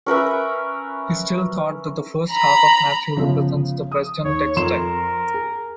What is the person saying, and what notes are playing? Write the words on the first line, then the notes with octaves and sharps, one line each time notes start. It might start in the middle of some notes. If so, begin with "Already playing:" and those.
He still thought that the first half of Matthew represents the Western text-type.
C#4 A#4 B4 E5
A#5 B5
G1 C#3 F3
D#6
D#2 C#5
F2 A#4 C6 E7
G#4